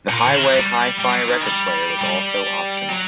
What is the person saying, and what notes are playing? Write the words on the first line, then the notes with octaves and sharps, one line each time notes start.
The Highway Hi-Fi record player was also optional.
A#2
D3
D#3
F#3
G3
G3
F#3
D#3
G3
G3
F#3